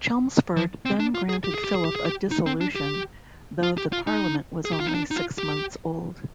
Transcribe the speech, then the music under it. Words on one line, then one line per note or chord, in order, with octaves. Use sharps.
Chelmsford then granted Philp a dissolution, though the parliament was only six months old.
F3
C4
D4
F4
G#4
G4
G#4
G4
G#4
G4
G#4
G4
D#4
C4
D4
G4
F4
G4
F4
D#4
G#4
G4
F4
D#4
D4
D#4
F4
G4